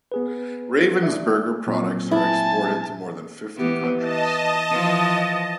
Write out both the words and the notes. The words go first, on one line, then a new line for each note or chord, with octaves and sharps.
Ravensburger products are exported to more than fifty countries.
B3 G#4 B4
D5 E5
A#2 F#3 C4
E4 G#5 A5
E3 B3 G4
E3 D#5 A5
E3 F3